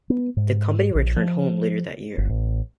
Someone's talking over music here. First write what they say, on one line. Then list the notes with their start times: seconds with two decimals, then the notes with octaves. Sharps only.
The Company returned home later that year.
0.10 B3
0.37 G#2
0.95 A#1
1.16 F3
2.18 G1
2.29 A1